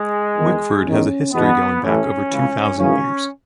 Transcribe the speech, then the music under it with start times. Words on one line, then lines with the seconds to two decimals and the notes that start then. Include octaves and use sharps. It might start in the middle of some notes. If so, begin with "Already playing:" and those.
Wickford has a history going back over two thousand years.
Already playing: G#3
0.36 E2 D#3
0.85 E2 D#3 C#4
1.33 E2 B2 B3
1.81 A1 A2 E3 C#4
2.29 C#2 C#3 E3
2.77 G#1 F#2 C#3 E3 C#4